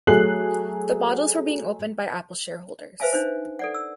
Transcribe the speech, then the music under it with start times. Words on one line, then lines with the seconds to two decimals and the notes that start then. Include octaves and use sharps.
The bottles were being opened by Apple shareholders.
0.07 F#3 A3 G#4 F#6 C7 F#7
3.00 B4 C5 E5 F5 G#5 A5
3.13 D4 D#4 C5
3.59 A4 D5 F#5
3.74 E6